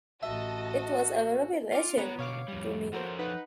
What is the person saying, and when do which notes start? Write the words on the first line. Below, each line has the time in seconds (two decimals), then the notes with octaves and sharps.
It was a revelation to me.
0.23 A1 F#4 D#5 E5 A5
1.72 F4 D6 F6
1.98 B3 F4 C#5 A#5
2.19 B2 D3 C#5 F5 D6
2.48 F2 G3
2.93 F3 F#4 A4 A#4 C5 C#5
3.19 D#4 B4 F#5